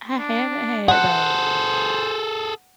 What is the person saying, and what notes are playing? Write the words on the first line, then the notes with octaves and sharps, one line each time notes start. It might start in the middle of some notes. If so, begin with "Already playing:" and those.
I haven't had those.
D4
G#4 A4 C5 F#5